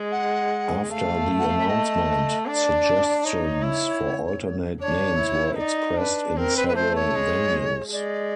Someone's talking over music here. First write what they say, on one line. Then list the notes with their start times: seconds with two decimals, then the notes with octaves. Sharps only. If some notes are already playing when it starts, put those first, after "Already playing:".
After the announcement, suggestions for alternate names were expressed in several venues.
Already playing: G#3
0.11 F#5
0.90 A3 F5
1.38 F#5
1.47 F5
1.57 E5
1.67 D#5
2.46 D4 D5
3.24 D#4 C#5
3.63 E4
4.80 D4 C#5
5.19 E4
5.58 D#4 D5
5.97 D4 B4
6.36 C4 A#4
6.56 B4
6.68 B4
6.75 A3 C5
6.95 C#5
7.15 G#3
7.92 G#3 D5